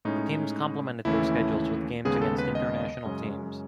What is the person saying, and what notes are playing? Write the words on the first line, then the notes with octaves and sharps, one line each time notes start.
The teams complemented their schedules with games against international teams.
A2 G#3 C#4 D#4
D#2 C#3 E3 A3 C#4 E4
D#2 C#3 G#3 B3 G#4
A4
B4
D#5
F#2 C#3 G#3 C#4